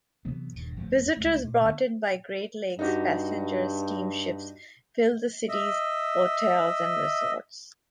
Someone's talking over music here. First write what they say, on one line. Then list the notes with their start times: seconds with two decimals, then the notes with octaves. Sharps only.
Visitors brought in by Great Lakes passenger steamships filled the city's hotels and resorts.
0.25 C3 E3 F#3 B3
0.53 D#1 G2
0.76 G1 F2 F3 A3
1.17 C#2 G#3 A3
1.44 A#2
1.64 D3 D#3 G#3 B3
2.79 G2 D#4 F#4 G4
5.49 D#5 E5